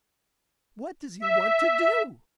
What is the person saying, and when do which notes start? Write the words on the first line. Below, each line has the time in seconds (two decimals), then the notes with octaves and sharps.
"What does he want to do?"
1.22 E5